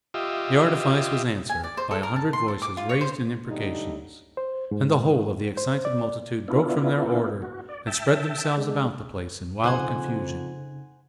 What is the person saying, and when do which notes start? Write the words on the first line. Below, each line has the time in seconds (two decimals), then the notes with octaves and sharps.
The artifice was answered by a hundred voices raised in imprecations; and the whole of the excited multitude broke from their order, and spread themselves about the place in wild confusion.
0.14 F4 G4 D#5 E5
1.49 G#5
1.64 D5
1.77 C5
1.91 A4
2.03 A#4
2.16 A5
2.33 C6
2.48 A4
2.62 D6
2.77 F4
2.89 C#5
3.01 C5
3.48 A2 D3 G3 D#4
4.37 C5
4.71 G#2
5.57 C5
5.85 D5
6.48 B3 D4 E4 F4
7.42 F#4
7.69 D5
7.87 E5 G5 A5
8.57 G#3 D4
9.64 F2 C#3 D#4 C5 F#5 G#5